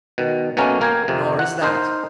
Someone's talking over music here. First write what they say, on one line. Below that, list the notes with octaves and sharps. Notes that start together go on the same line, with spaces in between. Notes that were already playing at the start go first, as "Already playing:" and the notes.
"Nor is that."
B2 D#3
B2 F#3 A3 A#3 C#4 A#4
A#3 A#4 G5 G#5
F2 C3
F#5
D#4 A#4 C5